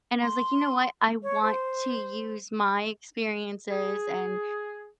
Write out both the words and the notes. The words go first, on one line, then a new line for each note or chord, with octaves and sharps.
And I was like, "You know what, I want to use my experiences and
C6
C#5
C5
G#4